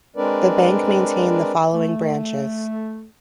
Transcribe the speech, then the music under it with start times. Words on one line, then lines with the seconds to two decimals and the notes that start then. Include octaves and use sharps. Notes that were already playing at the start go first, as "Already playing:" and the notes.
The bank maintained the following branches.
0.16 G#3 C4 D4 A#4 B4 D5
1.74 A3